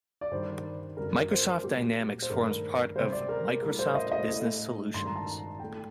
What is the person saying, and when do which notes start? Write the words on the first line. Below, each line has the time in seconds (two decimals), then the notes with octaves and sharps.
Microsoft Dynamics forms part of "Microsoft Business Solutions".
0.21 D5
0.31 G2 D#3 G3 C5
0.97 F#2 D3 G3 A#4
1.14 A#4
1.31 C5
1.47 C5
1.63 A#2 F#3 A3 G4
2.22 C5
2.30 G2 D#3 A3 A#4
2.95 C3 G3 C5
3.12 D5
3.29 A#4
3.62 A2 G3 A#4
3.79 C5
3.95 D#5
4.12 D#5
4.29 A2 A3
4.94 G2 D#3 G3 C6
5.05 A#5
5.16 A5
5.27 A#5
5.60 A2 A3 G5